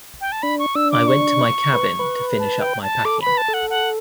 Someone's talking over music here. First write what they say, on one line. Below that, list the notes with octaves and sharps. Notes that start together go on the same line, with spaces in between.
I went to my cabin to finish up my packing.
G5
A5
D4 B5
C#6
D4 E6
D6
C#6
B4
B4
A5
G5
A5
A4 D6
B4 B5
A5
A4
F#5
F#5